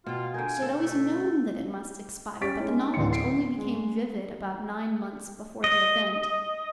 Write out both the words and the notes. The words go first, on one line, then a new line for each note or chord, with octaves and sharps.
She had always known that it must expire, but the knowledge only became vivid about nine months before the event.
B2 F4 G5
D3 F4 A#4 G5 G#5
A4
D2 B2 A3
C#4 G4 C#6 A6 B6 D7
G#3 C#4 D#4
D1 D3 E3 G5 C6 C#7
C7 D7
G#3
D#5